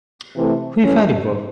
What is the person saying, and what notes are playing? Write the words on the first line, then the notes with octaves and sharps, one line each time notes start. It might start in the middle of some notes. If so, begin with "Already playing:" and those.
Who You Fighting For?
C3 E3 A3
G2 E3 A3 C#4